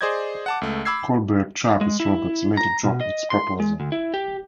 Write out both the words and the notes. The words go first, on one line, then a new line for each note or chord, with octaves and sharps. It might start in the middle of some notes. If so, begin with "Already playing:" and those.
Kohlberg Kravis Roberts later dropped its proposal.
G#4 C5 D5 D#5 G6 G#6
F#5 A5 D6
C#2 A3
B5 D6 E6 G#6 C7
G#3
E4
A#5
B2
D#5
C6
G#3
D2
E4
G4